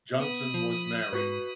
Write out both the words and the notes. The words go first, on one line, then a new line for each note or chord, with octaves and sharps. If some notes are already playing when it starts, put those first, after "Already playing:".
Johnson was married.
B3 B5 D#6
F3
G#2 F#4 B4